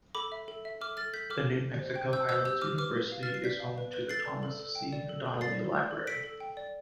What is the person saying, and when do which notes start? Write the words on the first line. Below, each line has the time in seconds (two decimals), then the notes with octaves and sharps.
The New Mexico Highlands University is home to the Thomas C. Donnelly Library.
0.15 A4 B5 D6
0.32 E5
0.48 A4
0.65 E5
0.81 A4 D6 F6
0.97 A4 F6 A6
1.13 A4 G6 B6
1.30 A4 D6 F6
1.47 G4
1.63 G4
1.79 C5
1.96 G5
2.13 C5 E6 G6
2.29 C5 E6 G6
2.45 G4 E6 G6
2.61 G4 D6 F6
2.78 B4 D6 F6
2.95 B4
3.12 F5
3.23 F6 A6
3.28 B4
3.34 C7
3.44 D5 G6 B6
3.60 F5
3.78 B4
3.93 B4
4.09 A4 A6 C7
4.26 D5
4.43 A4
4.60 A4
4.75 G5
4.93 D5
5.09 A4
5.26 A4
5.41 D5 A6 C7
5.58 D5
5.75 D5
5.91 A4
6.07 A4 B6 D7
6.24 A4
6.40 G5
6.57 D5